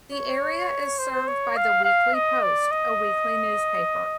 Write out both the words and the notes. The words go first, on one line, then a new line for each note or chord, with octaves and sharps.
The area is served by "The Weekly Post", a weekly newspaper.
C#5
C5
C#5
F5
F5
D#5
D5
D#5